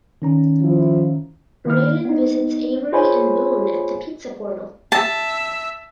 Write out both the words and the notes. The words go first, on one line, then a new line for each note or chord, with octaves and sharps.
Raylan visits Avery and Boon at the Pizza Portal.
D#3 C#4 A#5
F3 E4
D#3 A#3 E4 F6
B3 D#4
F4 G#4 C5 C#5 G#5 B5
E5 A5